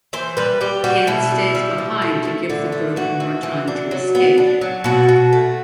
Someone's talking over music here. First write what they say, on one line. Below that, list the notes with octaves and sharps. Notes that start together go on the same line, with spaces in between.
Kane stays behind to give the group more time to escape.
E3 C5
G3 B4
G3 G4
G3 F#4
B2 E4
G3
G3
B2
A3
A3
D3
A3
E3 F#4
E3
E3
D4
F#3
B3
D4
F#3
B2 F#4
B2
A3